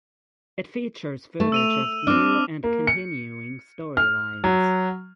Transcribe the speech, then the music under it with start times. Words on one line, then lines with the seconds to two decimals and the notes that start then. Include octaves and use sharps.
It features footage of new and continuing storylines.
1.40 A3
1.52 E6 D#7 F7
2.07 C4 D4 D6 F6
2.64 A#3
2.87 C#7
3.97 F6
4.44 F#3